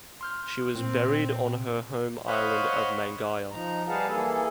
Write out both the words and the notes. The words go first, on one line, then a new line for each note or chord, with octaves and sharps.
She was buried on her home island of Mangaia.
C6 F6 G6
A#2 C4
C5 C#5 D#5 F5 F#5 B5
F3 D#4 A#5
G3 G#4 B4 F5 F#5 A5
E3 A#3 G#4 A4